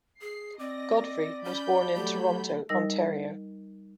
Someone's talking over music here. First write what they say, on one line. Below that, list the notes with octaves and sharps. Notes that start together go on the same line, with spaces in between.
Godfrey was born in Toronto, Ontario.
G#4 C7
C4 D5 D#5 A#6
C#4 B5 G6
F#3 A3 G4
G3 D#4 A#4 D#5 E6 A#6